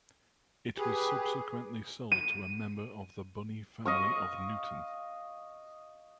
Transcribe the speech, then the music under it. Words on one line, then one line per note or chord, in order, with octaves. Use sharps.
It was subsequently sold to a member of the Bunny family of Newton.
G4 G#4 B4 G#5
D#7
D#5 F5 C#6